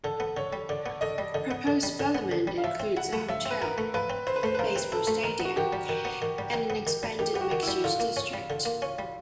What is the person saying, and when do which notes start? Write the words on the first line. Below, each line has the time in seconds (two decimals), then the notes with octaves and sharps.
The proposed development includes a hotel, baseball stadium, and an expanded mixed-use district.
0.04 D3 A4
0.20 B3
0.37 D3 C#5
0.53 G3
0.69 D3 D5
0.86 B3
1.01 D3 D#5
1.18 G3
1.34 D3 D#5
1.51 B3
1.67 D3
1.83 G3
2.00 D3
2.15 B3
2.31 D3
2.47 G3
2.58 F5
2.64 F3 E5
2.80 C4
2.97 E4 F#5
3.13 A3
3.29 F3 E5
3.46 C4 B4
3.61 E4 A#4
3.78 A3
3.94 F3 B4
4.10 C4
4.27 E4 C5
4.36 B4
4.43 A3 C5
4.54 B4
4.59 F3 A#4
4.76 C4
4.92 E4 A4
5.07 A3
5.24 D#3 A#4
5.40 B3
5.45 F#4
5.56 D#3 G4
5.73 G3
5.89 D#3
6.05 B3
6.22 D#3
6.38 G3
6.54 D#3
6.70 B3
6.87 D#3
7.03 G3
7.19 D#3 G4
7.34 B3 G4
7.41 F#4
7.52 D#3
7.63 E4
7.68 G3
7.84 D3 F4
8.00 A#3
8.17 C#4
8.33 G3
8.50 D3
8.65 A#3
8.82 C#4
8.99 G3